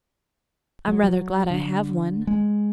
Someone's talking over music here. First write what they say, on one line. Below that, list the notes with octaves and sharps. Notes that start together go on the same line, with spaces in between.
I'm rather glad I have one.
F#3
F#3
D3
G#3